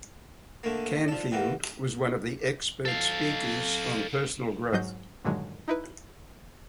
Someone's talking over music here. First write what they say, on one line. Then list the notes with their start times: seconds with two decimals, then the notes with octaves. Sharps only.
Canfield was one of the expert speakers on personal growth.
0.63 D3 A3 A#3
1.08 F3 A4 D5
1.32 E3 A#3 G4 F#5 G5
2.85 A4 F5
4.72 G#2 F#3 D#5 G6
5.25 G2 A#2 D3 D#3 F#3 G#3
5.68 D#4 E4 B4